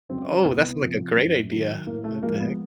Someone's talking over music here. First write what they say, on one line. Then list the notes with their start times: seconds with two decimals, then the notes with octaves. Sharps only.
Oh, that's, like, a great idea. What the heck?
0.09 C#3 F#3 C4
0.45 C2 B3
0.80 C3 F3
1.16 F#2
1.52 D#3 F#3
1.86 A2 A#3
2.04 A3
2.21 F3 G#3 A#3
2.40 B3